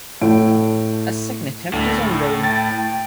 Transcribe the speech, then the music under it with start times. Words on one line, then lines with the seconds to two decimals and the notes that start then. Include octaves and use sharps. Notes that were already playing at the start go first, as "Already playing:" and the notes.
A second attempt is ongoing.
0.22 A2 A4 D7
1.73 D2 A2
2.43 G5 A6